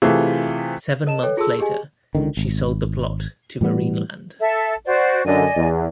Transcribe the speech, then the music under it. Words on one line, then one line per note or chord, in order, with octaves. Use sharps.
Seven months later, she sold the plot to Marineland.
C3 E3 A3 F4 G#4
A#4 D#5 A5 E7
A4 B4 C#5 G5
F4 G#4 A4 A5 C6 E6
G4 G#4 D#5 G#5
C#2 D3 D#3
G#1
A2 E3 G3 B3
A4 E5
F#4 C5 D5
F#2 D3 D5 D#5 G#5
E2